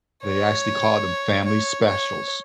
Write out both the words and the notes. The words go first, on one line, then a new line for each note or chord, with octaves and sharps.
they actually called them family specials.
C#5
C#5
C#5